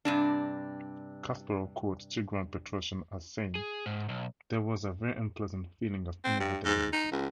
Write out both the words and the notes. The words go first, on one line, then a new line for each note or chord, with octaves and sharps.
Kasparov quotes Tigran Petrosian as saying, There was a very unpleasant feeling of inevitability.
G2 C3 D4
G#4
G#2
B1
C4
G2
G#2
D#4
C#2